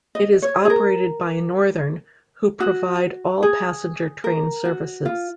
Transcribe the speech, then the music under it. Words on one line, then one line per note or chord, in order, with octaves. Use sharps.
It is operated by Northern who provide all passenger train services.
D#5
C#5
G#4
A#4
F#4
G#4
A#4
F#4
F4